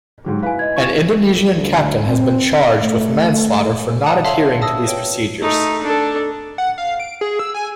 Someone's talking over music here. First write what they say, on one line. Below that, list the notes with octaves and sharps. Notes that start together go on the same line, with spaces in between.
An Indonesian captain has been charged with manslaughter for not adhering to these procedures.
G#2 F#3 G4
E4 B4 F5 G#5
D#5 G#6
F4 G#5 C#6
D2
C4
A3
D5 F#5 A5 D#6 F#6
A4 C#5 E5 F5 A5 C6
E5 A5 D#6 E6 A#6
B4 C#5 G5
A3 D#4
D4 A4
F#5
F5
D7
G#4
E6
G#5